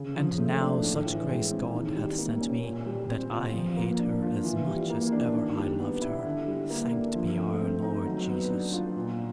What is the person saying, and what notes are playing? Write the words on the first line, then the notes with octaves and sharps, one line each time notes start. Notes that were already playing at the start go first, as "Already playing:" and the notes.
And now such grace God hath sent me, that I hate her as much as ever I loved her, thanked be our Lord Jesus!
Already playing: C#3
F3
A3
D4
A2
E3
G#3
C4
D#3
G3
A#3
C#4
A#2
G3
C4
F4
F3
A#3
D4
F4
E3
G3
A#3
D4
D#3
G3
B3
E4
D3
G3
A#3
D4
F3
A3
C4
D#4
F#3
B3
D4
F4
A#2